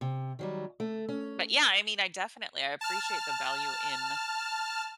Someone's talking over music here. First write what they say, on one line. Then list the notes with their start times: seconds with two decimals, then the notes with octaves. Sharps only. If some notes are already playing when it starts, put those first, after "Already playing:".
um, but yeah, I mean, I definitely, I appreciate the value in
0.01 C3
0.39 D#3 F#3 G3
0.80 A3
1.09 C#4
2.81 A5 F6